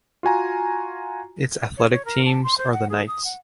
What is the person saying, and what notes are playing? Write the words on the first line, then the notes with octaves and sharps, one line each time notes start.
Its athletic teams are the Knights.
F4 F#4 G#5 A#5
C#5
C#5
A#4
A5
C6
C5
F#5
G#4
D#6
F#5